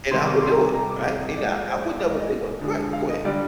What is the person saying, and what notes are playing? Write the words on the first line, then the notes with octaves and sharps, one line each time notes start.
and I would do it. Right? And I I would never say, "Well" right, go ahead.
C3 D#3 G3 C6
D6
D6
C6
A#5
G#5
C3 G3 A#5
D6
F5
D#5
A#2 F3 G#3 D5
C5
D5
A#2 G#3 D5
D#5
D#5
D3 F3 G#3
F5
D#5
D3 G3 D5